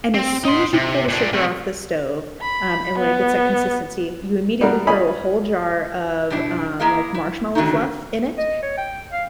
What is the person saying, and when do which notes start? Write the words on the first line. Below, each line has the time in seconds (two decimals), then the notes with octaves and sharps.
and as soon as you pull the sugar off the stove, um, and when it gets that consistency, you immediately throw a whole jar of, um, like, marshmallow fluff in it,
0.14 C4
0.44 D#4 C6
0.73 C3
1.08 A#2 D4
1.33 C3 A3
2.42 B5
2.99 B3
4.61 G3 B3 D4 F#4 A#4
4.87 D4 F4 C#5 D#5 G#5 B5
6.30 B2 G3 D4 E4
6.79 A#3 E4 G#4 A#4 D#5 F5
7.15 E4
7.55 D3 D#3 F#3 A3 D4 D#4
8.38 D#5
8.62 C#5
8.77 G5
9.12 F5